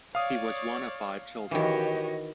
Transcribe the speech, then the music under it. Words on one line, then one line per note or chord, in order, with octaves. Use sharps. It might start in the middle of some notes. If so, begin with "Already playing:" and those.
He was one of five children.
C#5 D5 F5 D#6
D#3 E3 F#4 G4 C#5 D#5